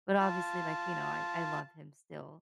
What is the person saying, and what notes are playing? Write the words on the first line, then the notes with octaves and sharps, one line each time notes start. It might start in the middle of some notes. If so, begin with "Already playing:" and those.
But, obviously, like, you know, I I love him still.
F4 A5